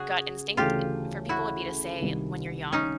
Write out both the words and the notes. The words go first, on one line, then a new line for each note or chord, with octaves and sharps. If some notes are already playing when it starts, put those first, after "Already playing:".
gut instinct i for people would be to say when you're young,
Already playing: C#3 F#4 G#4
D2 C#3 E3 A3 F4 G4
E4 F#4
C2 C3 D#3
C#4 D#4